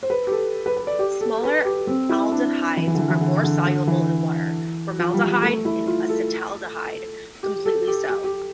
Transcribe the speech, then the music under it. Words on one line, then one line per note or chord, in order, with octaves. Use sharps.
Smaller aldehydes are more soluble in water, formaldehyde and acetaldehyde completely so.
C5
B4
G4
A4
B4
B4
D5
G4
A4
B4
G4
C4
E4
D4
E3
E3
D3
E3
E3
D3
D3
D3
E3
F3
G3
G3
A3
E4
F4
A4
G4
A4
G4
G4
G4